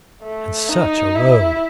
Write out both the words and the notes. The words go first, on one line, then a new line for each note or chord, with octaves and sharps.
And such a road!
A3
D#4
E4